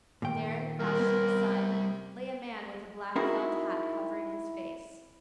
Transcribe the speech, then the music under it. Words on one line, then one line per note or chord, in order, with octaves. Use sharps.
There, crouched in the sun, lay a man with a black felt hat covering his face.
A#2 D#3 G5
G3 C4 A#4
B3
C4 D#4 E4 F#4 G#4 A#4